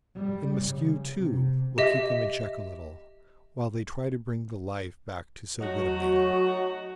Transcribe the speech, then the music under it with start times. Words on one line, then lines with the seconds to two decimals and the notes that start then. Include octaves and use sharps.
And Maskew, too, will keep them in check a little, while they try to bring the life back to so good a man.
0.14 G3
0.57 C#3
1.16 C3
1.78 G4 D#5 E5
5.61 F#3 A3 D#4 F#4